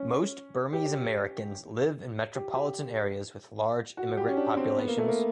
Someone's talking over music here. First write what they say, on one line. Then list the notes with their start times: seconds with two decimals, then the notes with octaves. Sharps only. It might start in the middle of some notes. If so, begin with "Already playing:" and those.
Most Burmese Americans live in metropolitan areas with large immigrant populations.
Already playing: C#4
0.73 G4
2.35 G4
2.55 G4
3.97 F#4
4.17 G4
4.28 C#4
4.37 D4
4.57 C4
4.78 B3
4.88 A#3
4.98 A3
5.08 A#3